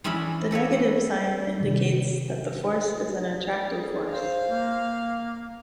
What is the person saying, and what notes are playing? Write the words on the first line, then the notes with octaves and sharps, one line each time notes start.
The negative sign indicates that the force is an attractive force.
E3 G#3 C#4 D4 E5 B5
G4 A4 B4 C#5
F#5
C3 D#3 G3
G#4
C5 F5
A#3